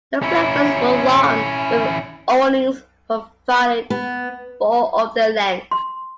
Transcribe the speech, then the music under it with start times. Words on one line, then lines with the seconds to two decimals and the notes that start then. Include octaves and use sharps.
The platforms were long, with awnings provided for of their length.
0.23 C#4 E4
3.90 B3
5.71 C6